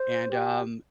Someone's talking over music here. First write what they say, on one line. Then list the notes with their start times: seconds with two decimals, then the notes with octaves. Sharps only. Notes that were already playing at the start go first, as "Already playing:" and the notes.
and, um,
Already playing: C5
0.31 G4